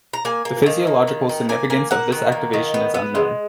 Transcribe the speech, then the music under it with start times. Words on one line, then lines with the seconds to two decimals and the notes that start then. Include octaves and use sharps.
The physiological significance of this activation is unknown.
0.13 A#5
0.25 A#3 G#5
0.45 A#3
0.66 D#3
0.87 A#3
1.07 D#3
1.29 D#3
1.49 A#3 G#5
1.70 A#3 G#5
1.91 A#3 F#5
2.12 D#3
2.32 A#3
2.54 D#3
2.74 B3
2.94 B3
3.15 G#3